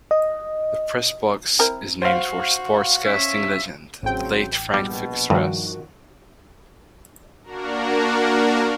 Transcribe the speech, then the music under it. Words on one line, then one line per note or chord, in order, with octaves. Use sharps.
The press box is named for sportscasting legend, the late Frank Fixaris.
D#5
C4 E4 A#4
F#4 C5 F5
C#4 E5
A1 C#3 F#3 C4 G5
A#1 B2 G3
G2 D#3 F3 F#4
A#3 D4 F#4 A#4